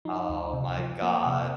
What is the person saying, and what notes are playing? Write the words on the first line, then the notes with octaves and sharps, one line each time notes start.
Oh, my god.
F3 D#4
D2
C3
F3
F3 A#3
C3